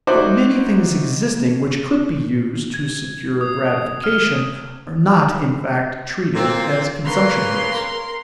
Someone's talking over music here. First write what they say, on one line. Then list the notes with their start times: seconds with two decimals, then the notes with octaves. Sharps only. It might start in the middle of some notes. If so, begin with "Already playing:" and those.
But many things existing which could be used to secure a gratification are not in fact treated as consumption goods.
0.07 D#4 E4 F#4 C5 D5
2.74 G#6
3.41 D#6
4.04 F6
6.34 A#2 A#3 C4
7.05 C#3 A#3 A#4 B4 C6